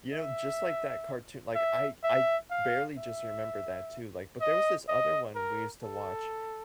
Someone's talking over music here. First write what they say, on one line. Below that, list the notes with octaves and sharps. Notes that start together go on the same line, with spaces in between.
you know, just like that cartoon like I I barely just remember that too, like but there was this other one we used to watch,
E5
E5
E5
F5
E5
D#5
D#5
A#4
A4